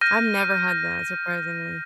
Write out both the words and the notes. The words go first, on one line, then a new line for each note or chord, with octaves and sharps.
I've never had that, surprisingly.
F6 G6 A#6 D#7